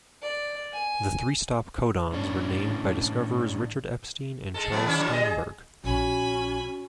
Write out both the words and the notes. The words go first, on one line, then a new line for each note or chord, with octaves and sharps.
The three stop codons were named by discoverers Richard Epstein and Charles Steinberg.
D5
G#5
A2 C#4 D4
G#3 A4
F3 A3 B3
D#3 C#4 E4
E3 F#3 D4
G3 D#5
G#4
A#1 C#4 F#4 G#5 B5